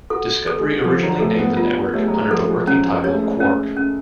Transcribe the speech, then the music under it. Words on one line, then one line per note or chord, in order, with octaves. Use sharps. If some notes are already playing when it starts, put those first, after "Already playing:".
Discovery originally named the network under the working title Quark!
F#4 A4
A4
G#3
F3 A4
F#3
A3 A4
B3
B3 F4
A3 C#5
G#3
F#3
G#3
F3 A4
G#3
F#3 C#4
F3
G#3 C#5
A3
G#3
C#4
C#4